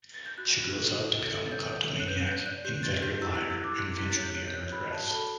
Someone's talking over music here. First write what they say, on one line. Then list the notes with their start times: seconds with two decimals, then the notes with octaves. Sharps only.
She grows up to become a kleptomaniac, inveterate liar, and eventually a murderess.
0.14 A6
0.26 G6
0.38 F#4 F#6
0.56 F#4
0.76 A4
0.95 E4
1.13 E4
1.32 A4
1.46 A6
1.51 C#5 G6
1.70 C#5
1.89 C#5
2.00 F#6
2.07 B4 G6
2.27 B4 G6
2.46 D5 F#6
2.65 G4 G6
2.83 G4 A6
3.02 G4 G6
3.21 E4 E6
3.35 E4 F#6
3.50 E6
3.59 E4 D6
3.78 G4 F#6
3.97 E4 B6
4.10 A6
4.16 C#5
4.22 G6
4.35 C#5 F#6
4.48 G6
4.54 C#5 F#6
4.72 F#4 B5
4.91 F#4 A5
5.06 A5
5.11 A4 B5